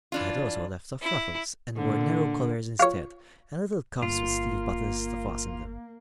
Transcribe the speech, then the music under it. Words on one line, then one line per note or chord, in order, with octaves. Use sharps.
She had also left off ruffles, and wore narrow collars instead, and little cuffs with sleeve-buttons to fasten them.
E3 D4 F4
E4
A#2 D3
F4 C#5
G1 A#3 F4